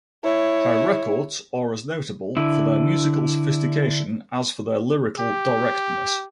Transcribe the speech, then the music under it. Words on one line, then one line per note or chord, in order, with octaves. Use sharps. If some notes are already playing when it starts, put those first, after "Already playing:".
Her records are as notable for their musical sophistication as for their lyrical directness.
E4 C#5
D3 E4
G4